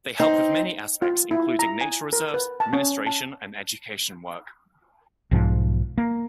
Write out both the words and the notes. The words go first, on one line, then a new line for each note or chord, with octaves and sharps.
They help with many aspects including nature reserves, administration and education work.
C4 D#4
F4
E4
A#5
G#5
A#4
B4
A5
C#4
A5
B1 G#2 F3
A#3